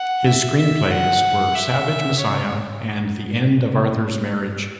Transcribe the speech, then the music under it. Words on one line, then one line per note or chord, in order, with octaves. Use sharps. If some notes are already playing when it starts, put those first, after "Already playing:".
His screenplays were "Savage Messiah" and "The End of Arthur's Marriage".
Already playing: F#5
E5
E5
F#5
E5
C#5